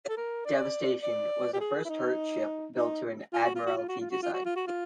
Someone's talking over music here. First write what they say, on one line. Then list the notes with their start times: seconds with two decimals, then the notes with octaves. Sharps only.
"Devastation" was the first turret ship built to an Admiralty design.
0.09 A4
0.17 A#4
0.46 D5
1.03 D5
1.53 G4
1.61 G#4
1.85 E4
1.89 D#4
2.76 D#4
3.33 F4
3.44 F#4
3.56 F4
3.66 F#4
3.77 F4
3.89 F#4
4.00 F4
4.11 F#4
4.23 F4
4.33 F#4
4.45 F4
4.56 F#4
4.67 F4